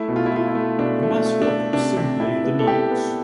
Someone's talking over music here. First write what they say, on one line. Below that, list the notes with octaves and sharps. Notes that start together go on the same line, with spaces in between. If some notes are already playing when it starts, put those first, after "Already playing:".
The mascot was simply the Knights.
Already playing: A3 E4
B2
F4
E4
A3 F4
E4
A3
B2 D4
A3
D4
A3
D4
A3
C3 D4
C3
C3 E4
B3
A4
C3 G4
B3